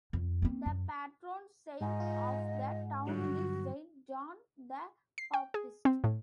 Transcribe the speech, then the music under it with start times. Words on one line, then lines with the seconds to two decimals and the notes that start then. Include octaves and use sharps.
The patron Saint of the town is Saint John the Baptist.
0.13 F2
0.42 A#3 C4
0.66 F#2
1.81 G#2 D#5
2.00 F4
3.07 G2 D3 F#3 F#4
5.18 C7
5.34 G5
5.54 G#4
5.85 C4
6.04 A2